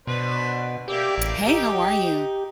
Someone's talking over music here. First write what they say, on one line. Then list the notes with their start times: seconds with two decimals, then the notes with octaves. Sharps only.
Hey, how are you?
0.07 B2 D4 B4 C5
0.88 A#3 G4 D5 E5
1.18 A1
1.47 D#4 G4